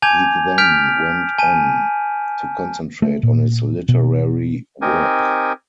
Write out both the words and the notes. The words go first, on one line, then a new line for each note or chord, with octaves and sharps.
He then went on to concentrate on his literary work.
G#5 A5 D6 G6 G#6 F7
F6 G6 B6 D7 F7
G#5 A5 D#7
A3
A#2
B2
C4 D#4 G4 A#4 G#5